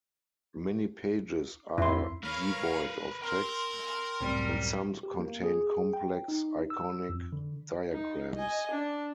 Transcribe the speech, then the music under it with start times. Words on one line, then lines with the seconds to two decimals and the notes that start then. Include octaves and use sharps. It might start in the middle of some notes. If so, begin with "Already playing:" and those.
Many pages are devoid of text, and some contain complex iconic diagrams.
1.78 F2 E4 C6
2.24 A#4 B4 C#5 F5 F6 A#6
3.22 A#4 G5 C6
4.21 C#2 F#2 A2 G3 C4
5.03 G4
5.19 A#3
5.43 G#4
5.93 G5
6.28 D#4
6.70 E6
7.09 F2
7.32 D3
7.90 D#4
8.34 D#5 G#5
8.71 D4